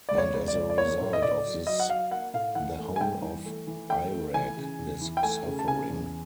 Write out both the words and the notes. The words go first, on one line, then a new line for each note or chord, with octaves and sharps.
And as a result of this the whole of Iraq is suffering.
C#2 D5
C#5
C#2
D5
C#2
D5
A#3 C#5
A2
D#5
A2 D5
F#3
F#3 D#5
F#5
F#3 F5
A#3 F#5
A2 F5
E3 F#5
A3
G#5
G2 G5
E3
A3
E3
A3 G5
A3
E3 G#5
C#3
E2
E3
G5
A3 G#5
C#3
A5
C#3 G#5
E2